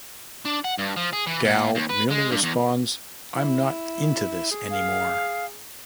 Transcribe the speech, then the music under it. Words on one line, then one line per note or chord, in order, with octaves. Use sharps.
Gal merely responds, I'm not into this any more.
D4
F#5
G2
F3
G#4
E3
A#2
D#2
B4
G#3
G2
E2
E4
G#4
F5